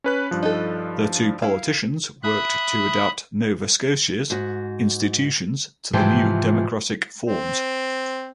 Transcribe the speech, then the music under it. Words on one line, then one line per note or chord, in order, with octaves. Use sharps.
The two politicians worked to adapt Nova Scotia's institutions to the new democratic forms.
C#4 B4 F#6
G2 F3
D#4 A4
E4 F5
E5 B5 D#6 F#6
G#2 F#4
G#2 C3 E3 F3 G4 G5
C4